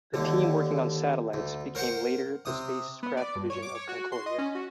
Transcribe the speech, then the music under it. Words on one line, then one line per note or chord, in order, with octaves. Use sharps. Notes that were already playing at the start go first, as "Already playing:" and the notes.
The team working on satellites became later the Spacecraft division of Space Concordia.
D#2 D3
D2
A#4 C5 F#5 G5
C3 D#6
B3
D5
G2
C#5
D6
C#5
F#4
C6
D#5
C#4
F#4